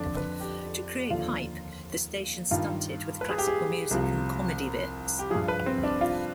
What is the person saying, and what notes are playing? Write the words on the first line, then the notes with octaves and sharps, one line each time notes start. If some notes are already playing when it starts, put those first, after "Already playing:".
To create hype, the station stunted with classical music and comedy bits.
Already playing: F2 D3 F3 D4
B4
G4
D#2 D3 F3 F4
G2 D#3 F4
B4
G#4
G4
G#4
C2 C3 F3
G4
G2 F3 G#4
B4
C4
D4
F4